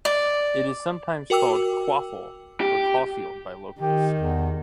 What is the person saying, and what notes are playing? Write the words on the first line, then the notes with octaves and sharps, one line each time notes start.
It is sometimes called "Caufle" or "Cawfield" by locals.
D5
F#4 A#4 G5 D6 E6
G4
D#3 G4
E2